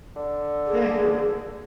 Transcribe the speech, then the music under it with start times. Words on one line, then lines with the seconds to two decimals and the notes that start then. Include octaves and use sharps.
yeah, you're right.
0.16 D3
0.67 G#4